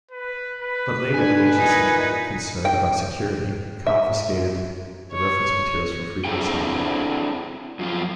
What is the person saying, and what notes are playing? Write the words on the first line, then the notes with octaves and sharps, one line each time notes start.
But later the Agency, concerned about security, confiscated the reference materials from Friedman's home.
B4
B4
B2 D3 D4 G#5
A#2 E3 D#4
G5
E5
C#5
C4 D4 E4 G#4 A4 G5
F#2 F3 F4